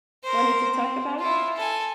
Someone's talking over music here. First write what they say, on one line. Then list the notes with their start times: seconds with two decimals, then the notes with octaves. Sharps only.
wanted to talk about?
0.23 A#4 C5
0.70 C4
1.18 E4 F4
1.56 A4 G#5